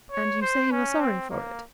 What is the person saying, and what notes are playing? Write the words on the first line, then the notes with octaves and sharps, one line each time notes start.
"And you say you are sorry for it."
C#5
C5
C#4
C4
A#3